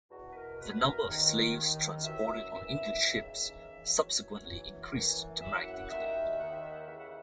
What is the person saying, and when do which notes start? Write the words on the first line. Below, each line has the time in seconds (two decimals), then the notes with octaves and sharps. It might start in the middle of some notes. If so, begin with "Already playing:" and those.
The number of slaves transported on English ships subsequently increased dramatically.
0.11 E2 B2 F#4
0.30 B4
0.35 A#4
0.59 E2 B2 B4
0.84 A#4
1.07 D#2 D#3
1.55 D#2 D#3
2.03 F#2 E3 E5
2.52 F#2 E3 E5
3.00 D#2 C#3 E3 E5
3.48 D#2 C#3 E3
3.96 F#2 E3 C#5
4.45 F#2 E3
4.93 F#2 E3
5.41 F#2 E3 E5
5.57 F#5
5.73 F#5
5.89 D#2 D#3 E5
6.38 D#2 D#3 F#5
6.54 E5
6.70 F#5
6.86 D#2 C#3 E3 E5
6.97 F#5